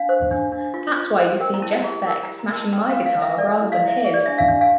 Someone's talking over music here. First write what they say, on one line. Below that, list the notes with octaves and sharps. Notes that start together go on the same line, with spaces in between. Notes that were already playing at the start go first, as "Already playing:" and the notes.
That's why you see Jeff Beck smashing my guitar rather than his!
Already playing: D4 F5
C5
D4
D4
F4
F4
C5
A#4 G5
A#5
E4 A5
G4 A#5
A#4
A#5
E4
A#5
A#4
A5
A4 G5
E4 F5
F5
E4
E5
A4 D5
E4
F5
E4
E5
G4
D5
D4 E5
F5
D4
F5